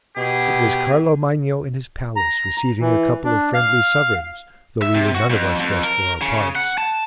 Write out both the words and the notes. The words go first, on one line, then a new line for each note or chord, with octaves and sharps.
It was Carlo Magno in his palace receiving a couple of friendly sovereigns, though we were none of us dressed for our parts.
B2 G4 G#4
A#5
E3
D4
F5
E5
C3
F#4
F2
F2
A#4
C#3
F#5
A5